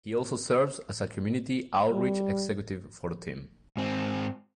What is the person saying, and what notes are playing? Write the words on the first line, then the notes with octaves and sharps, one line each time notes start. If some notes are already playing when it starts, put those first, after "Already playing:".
He also serves as a community outreach executive for the team.
G3
G#2 C4